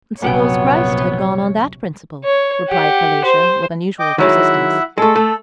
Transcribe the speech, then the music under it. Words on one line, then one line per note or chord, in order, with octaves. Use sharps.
"Suppose Christ had gone on that principle," replied Felicia, with unusual persistence.
A#1 F#2 C3 B3 C#5 F#5 G5
C#5
G4 F#5
C5
D#5 G5 D6
D#3 F#3 G#3 E4 E5 F#5
G#3 A3 A4
A3